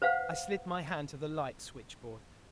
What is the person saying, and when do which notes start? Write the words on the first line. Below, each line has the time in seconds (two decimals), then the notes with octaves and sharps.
I slid my hand to the light switchboard.
0.02 B4 C5 F5 F#5